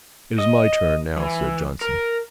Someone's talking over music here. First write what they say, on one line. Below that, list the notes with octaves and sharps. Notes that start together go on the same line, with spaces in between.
"It is my turn now," said Johnson.
D#5
E3
A#4